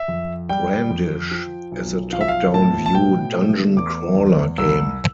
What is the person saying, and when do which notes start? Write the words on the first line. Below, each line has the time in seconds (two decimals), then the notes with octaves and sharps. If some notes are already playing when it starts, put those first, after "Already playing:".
"Brandish" is a top-down view dungeon crawler game.
Already playing: E5
0.08 F2
0.49 G3 G5
0.90 F2
1.31 F3
1.72 B1
2.13 F3 F5
2.21 E5
2.28 F5
2.54 A2 A5
2.86 A5
2.95 B2 G5
3.36 A3
3.77 E2 D6
4.17 E2
4.58 C2 E6